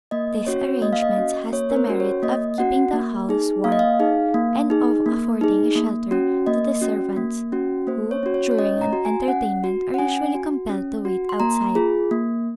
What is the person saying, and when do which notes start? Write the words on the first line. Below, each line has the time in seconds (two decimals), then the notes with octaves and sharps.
This arrangement has the merit of keeping the house warm and of affording a shelter to the servants who, during an entertainment, are usually compelled to wait outside.
0.11 A#3 D#5
0.47 C#4 F#4 C#5
0.82 A#3 D#5
0.93 F5
1.02 D#5
1.17 C#4 F#4
1.52 A#3 C#5
1.71 A#4
1.76 C5
1.87 C#4 F#4
2.00 C#5
2.23 A#3 D#5
2.58 C#4 F#4 F#5
2.93 A#3
3.29 D#4 G#4
3.64 A#3 F5
3.72 D#5
3.79 F5
4.00 D#4 G#4
4.34 A#3
4.70 D#4 G#4
5.06 A#3
5.41 D#4 G#4
5.75 A#3
6.11 C#4 F#4
6.46 A#3 D#5
6.81 C#4 F#4
7.16 A#3
7.52 C#4 F#4
7.87 A#3 C5
8.11 C#5
8.23 C#4 F#4
8.34 C#5
8.51 C#5
8.58 C#4 D#5
8.81 A#5
8.93 F#4
9.05 G#5
9.28 C#4 F#5
9.64 F#4
9.94 F#5
9.99 C#4 G#5
10.35 F#4
10.69 C#4
11.05 F#4
11.29 C6
11.40 A#3 A#5
11.75 F4 G#4
12.11 A#3